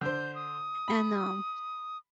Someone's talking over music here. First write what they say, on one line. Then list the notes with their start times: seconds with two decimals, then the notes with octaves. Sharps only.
and, um,
0.01 D3 C5 G6
0.35 D#6
0.88 B5